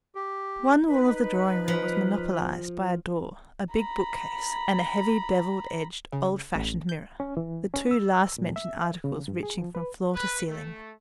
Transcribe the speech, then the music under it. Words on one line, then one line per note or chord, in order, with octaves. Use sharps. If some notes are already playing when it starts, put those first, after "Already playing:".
One wall of the drawing-room was monopolized by a door, a big bookcase, and a heavy bevelled-edged old-fashioned mirror--the two last-mentioned articles reaching from floor to ceiling.
G4
D#4 B4
F3
A#5 B5
C#3
A1
G6
C#4
E3
C#4
E6
A#2
E5
C#3
G2
G#4
F3
B4
B4
A3